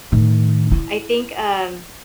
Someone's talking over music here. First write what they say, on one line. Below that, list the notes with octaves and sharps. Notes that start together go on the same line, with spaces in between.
I think, um,
A2 D#3
E4